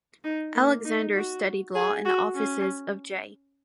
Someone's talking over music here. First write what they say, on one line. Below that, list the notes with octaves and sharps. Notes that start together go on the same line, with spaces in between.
Alexander studied law in the offices of J.
D#4
A#3
D#4
F#4
G#4
F#4
C#4